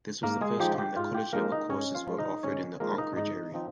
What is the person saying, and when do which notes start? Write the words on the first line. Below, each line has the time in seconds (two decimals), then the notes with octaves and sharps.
This was the first time that college-level courses were offered in the Anchorage area.
0.23 G#2 A#3 A#4
0.41 G#3 G#4
0.60 F3 G#3 D#4 G4
0.78 G4
0.96 G#2 F4
1.14 G4
1.33 F3 G#3 A#3 D#4 A#4
1.52 D#4 D#5
1.70 G#2 C#4 C#5
1.95 F4 F5
2.07 F3 G#3 D#4
2.18 D#4 D#5
2.43 G#2 C#4 C#5
2.80 F3 G#3 A#3 D#4 A#4
2.98 D#4 D#5
3.16 G#2 D#4 D#5
3.54 F3 C4 D#4